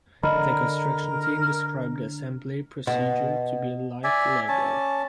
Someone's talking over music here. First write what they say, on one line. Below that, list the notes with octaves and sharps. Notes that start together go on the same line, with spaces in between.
The construction team described the assembly procedure to be "like Lego".
D3 A#4 D#5 A#5 B5
B2
D5 E5 G#5
C#4 A5